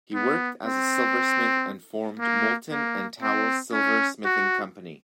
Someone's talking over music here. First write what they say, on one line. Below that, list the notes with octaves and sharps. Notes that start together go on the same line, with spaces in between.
He worked as a silversmith and formed "Moulton and Towle Silversmithing Company".
B3
C4
A#3
A#3
C4
C#4
F#4